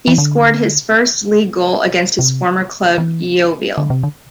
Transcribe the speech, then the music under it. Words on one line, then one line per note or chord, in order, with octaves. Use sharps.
He scored his first league goal against his former club Yeovil.
E3
D3
C3
E3
D3
C3
D3